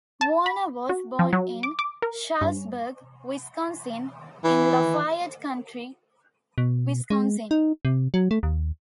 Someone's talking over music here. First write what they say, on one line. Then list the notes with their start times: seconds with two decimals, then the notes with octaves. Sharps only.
Warner was born in Shullsburg, Wisconsin, in Lafayette County, Wisconsin.
0.21 A5
0.46 B5
0.89 F#4
1.19 F3
1.33 F#3
1.63 D6
1.79 D6
2.02 A#4
2.41 G2
4.44 E3
6.58 B2
7.10 G#3
7.51 D#4
7.85 C3
8.14 F#3
8.31 A3
8.43 D#2